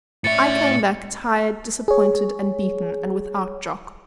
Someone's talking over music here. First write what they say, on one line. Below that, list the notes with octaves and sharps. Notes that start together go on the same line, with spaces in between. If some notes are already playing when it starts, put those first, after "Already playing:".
I came back tired, disappointed and beaten, and without Jock.
A2 C#4 D5 E5 A6 C#7
G#4 C#5